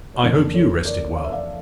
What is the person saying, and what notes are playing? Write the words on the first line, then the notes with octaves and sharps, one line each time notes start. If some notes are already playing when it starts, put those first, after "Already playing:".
I hope you rested well.
C#5
F2 C#3 E3 A#3 D4 A#4
A4 C#5
A#4 D5
F5
E5
D5 F5